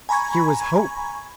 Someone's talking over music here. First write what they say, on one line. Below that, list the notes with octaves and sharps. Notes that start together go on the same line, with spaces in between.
Here was hope!
G#5 A#5 B5 C#6 G#6